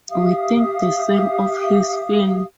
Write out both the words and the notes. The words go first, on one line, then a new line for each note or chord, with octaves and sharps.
We think the same of his film.
G4 E5 F5 D#6